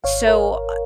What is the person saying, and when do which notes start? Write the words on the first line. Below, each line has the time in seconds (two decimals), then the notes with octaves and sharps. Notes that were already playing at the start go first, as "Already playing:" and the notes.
so, uh,
0.04 G#1 C#5 F5
0.27 A#4 C#5